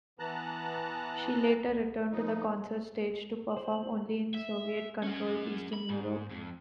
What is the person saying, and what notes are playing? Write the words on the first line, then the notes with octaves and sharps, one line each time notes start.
She later returned to the concert stage to perform only in Soviet-controlled Eastern Europe.
E3 B3 A5 A#5 F#6
F3 D#4
C5
E5
C#4 F#4
B5
G#2
F2